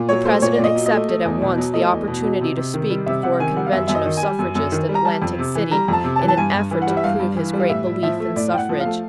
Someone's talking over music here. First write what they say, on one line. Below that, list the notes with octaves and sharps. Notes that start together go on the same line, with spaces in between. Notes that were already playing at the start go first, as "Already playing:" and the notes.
The President accepted at once the opportunity to speak before a convention of suffragists at Atlantic City in an effort to prove his great belief in suffrage.
Already playing: A#2
F#3 C#5
A3 C5
A#2 C#5
A#2 D5
D#5
F#3
D#5
A3
A3
E2
B2
F#3
A3 D#5
E2
B2
F#3
C3
C3
D#3
G3
C3 E5
C3 F#5
D#3 G#5
G3 F#5
F5
F#2 E5
F#2 E5
D#5
D#3
G#5
G3
F#2
F#2
D#3
G3
A#5
G3 A5
F2
C3
E3
G3 A#5
F2 A5
C3
A5
E3
A5
G2 G#5
G2
E3
F#5
G3
E5
G2 F5
G2
E3
G3
F5
A2 E5
A2
F3 E5
A3
A2 D5
A2 G5
F#5
F3
F5
A3